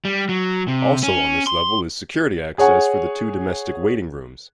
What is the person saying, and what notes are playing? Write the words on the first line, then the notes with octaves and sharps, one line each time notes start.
Also on this level is security access for the two domestic waiting rooms.
G3
F#3
C3
C#4
C6
G#4 C#5 F#5 G#5